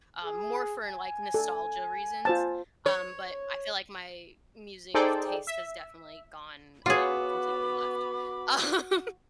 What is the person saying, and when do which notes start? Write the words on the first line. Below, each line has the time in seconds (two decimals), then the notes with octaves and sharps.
um, more for like nostalgia reasons. Um, but I feel like my music taste has definitely gone, um, completely left, um.
0.24 G#4
0.83 G#5
1.34 A4
2.25 F4 C5 A5
2.86 C#5
4.94 D#4 G#4 A4 C5 D5 G5
5.47 E5
6.86 B3 F4 F#4 G#4 C#5 B5 D6